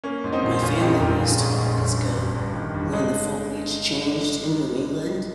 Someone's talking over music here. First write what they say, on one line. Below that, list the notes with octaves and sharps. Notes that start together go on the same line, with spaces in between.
my family we used to always go when the foliage changed in New England,
A#3 C#4
G#2
C4 D#4
A#1
G1 C#4 F4
F2 D#4 G4
G1 G4 A#4
A#1 F4 G#4
G#2 C#4
A#1 C#4
G1 C#4
G2
G1
G2
D#3
G2
G#3 D#4